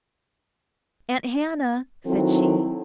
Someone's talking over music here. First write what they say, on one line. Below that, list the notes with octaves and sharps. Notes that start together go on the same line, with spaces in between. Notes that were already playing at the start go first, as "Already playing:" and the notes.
"Aunt Hannah?" said she.
D#3 F#3 C4 E4 A4